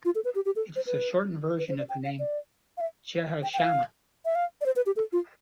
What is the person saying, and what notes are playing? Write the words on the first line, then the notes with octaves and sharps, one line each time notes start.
It is a shortened version of the name Jehoshama.
F4
A4
B4
G4
G4
A4
C5
B4
B4
C5
D5
G5
F5
D5
F5
E5
G5
G5
F5
E5
F5
D5
C5
B4
G4
A4
F4